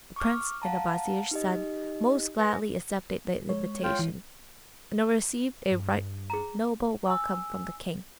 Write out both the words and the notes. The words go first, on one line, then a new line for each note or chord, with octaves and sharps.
The prince and the vizier's son most gladly accepted the invitation, and received a right noble welcome from the king.
C#6 D6 F6
F5 F#5 A5 A#5
D#4 G4 D#5
B4 G#5 A#6
G#3 C#5
F4 G5
E3
G2
G#4 A#5
G#5 E6